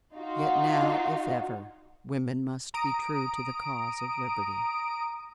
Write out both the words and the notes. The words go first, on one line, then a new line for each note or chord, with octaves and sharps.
Yet now, if ever, women must be true to the cause of liberty.
D#4 F4 F#4
A#5 D#6 D7